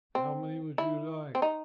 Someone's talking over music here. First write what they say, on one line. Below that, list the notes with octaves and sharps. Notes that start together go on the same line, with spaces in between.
"How many would you like?"
C4
E4
C4
D#4